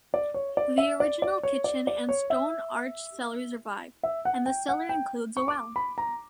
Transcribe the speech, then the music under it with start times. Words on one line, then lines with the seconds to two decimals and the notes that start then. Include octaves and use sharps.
The original kitchen and stone-arched cellar survive, and the cellar includes a well.
0.14 D5
0.34 C#5
0.57 D5
0.78 E5
1.00 D5
1.22 D5
1.43 C#5
1.64 D5
1.87 D5
2.09 C#5
2.30 E5
4.03 E5
4.25 F#5
4.46 G5
4.69 F#5
4.89 G5
5.37 C#6
5.48 D6
5.76 B5
5.98 A#5